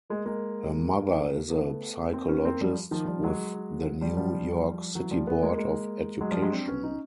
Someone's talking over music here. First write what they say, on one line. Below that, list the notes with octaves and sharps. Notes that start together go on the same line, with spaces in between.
Her mother is a psychologist with the New York City Board of Education.
G#3 A#3
G#3 A#3
A3 B3
A#3 C4
B3 C#4
A#3 C4
F3 G3
D#3 F3
F3 G3
F#3 G#3
F3 G3
F3 G3
E3 F#3
F3 G3
A3 B3
G#3 A#3
G#3 A#3
F#3 G#3
F3 G3
F#3 G#3
C4 D4
B3 C#4
C#4 D#4